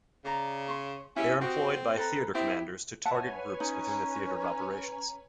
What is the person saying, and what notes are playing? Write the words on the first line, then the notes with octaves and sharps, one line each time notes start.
They are employed by theater commanders to target groups within the theater of operations.
C#3 D5 A#5
C#5 C6
C#4 E4 G4 E5
C4 F#4 G4 D#6
A4 B4 A#5
C4 E4 G4 D#6
B4 C#5 E5 F#5 G#5 A5
C#4 D#4 A#5